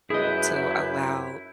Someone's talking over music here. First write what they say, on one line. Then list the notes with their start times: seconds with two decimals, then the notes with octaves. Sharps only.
to allow,
0.10 F#2 E4 G#4 B4 D#5 F#6 G6